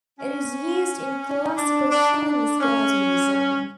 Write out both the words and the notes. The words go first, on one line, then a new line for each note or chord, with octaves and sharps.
It is used in classical Chinese garden design.
C#4
D4
D4
D4
C#4